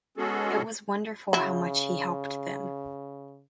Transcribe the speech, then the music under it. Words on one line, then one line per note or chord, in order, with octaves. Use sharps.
It was wonderful how much he helped them.
G#3 B3 C#4 F#4 G#4 A4
C#3 F#3 E4